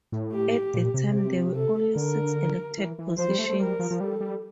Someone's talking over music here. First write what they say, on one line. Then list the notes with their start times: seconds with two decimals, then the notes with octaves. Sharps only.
At the time there were only six elected positions.
0.12 A2
0.32 G4
0.74 A#2
0.94 C3
1.14 G4
1.55 A4
1.96 D3 A#4
2.78 E3
2.99 E3
3.18 F3 C5
3.29 G3
3.39 A3
3.49 A3
3.59 G3 A#4
3.79 F3
3.91 F3
4.00 G3 A4
4.20 G3